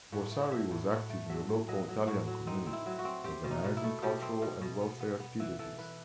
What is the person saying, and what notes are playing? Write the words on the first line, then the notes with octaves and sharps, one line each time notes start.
Borsari was active in the local Italian community, organising cultural and welfare activities.
A2 F#5
A3
F#3 E5
A2
A2 F#5
A3
F#3 E5
A2
F#3 D#5
F#3
A2 F#4
F#3
C4 D#4
C4
E4
F#3
F#4
C4
C4 G4
B2
D#4
B2
E4
A3
B2 G4
C4
B2
B2
B3
B3
B3
E3
E3 A4
E3 B4